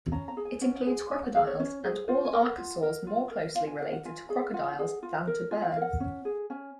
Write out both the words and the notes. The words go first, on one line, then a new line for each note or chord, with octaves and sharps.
It includes crocodiles and all archosaurs more closely related to crocodiles than to birds.
C#4 A#5
A#5
G#4
G#5
C#4 F#5
G#4
C#4 G#5
F#5
G#4 F5
C#5
C#4 C#5
G#4 C5
F4 C5
G#5
A#4
F#5
F4
A#4
F4
A#4
F4 F5
G#5
A#4 F#5
F#5
F4 G#5
G#4
F4 F#5
G#4
F4
A#4
F4 G#5
F#5
F5
A#4
F#5
C#4
G#4
C#4 G#5